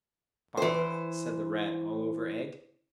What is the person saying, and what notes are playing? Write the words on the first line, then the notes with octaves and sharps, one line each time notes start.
'Bother!' said the Rat, all over egg.
E3 C5